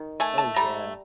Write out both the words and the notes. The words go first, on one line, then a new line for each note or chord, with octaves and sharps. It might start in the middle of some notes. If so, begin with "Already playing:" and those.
Oh, yeah.
Already playing: D#3
A3 G#5
A5
G3 A#5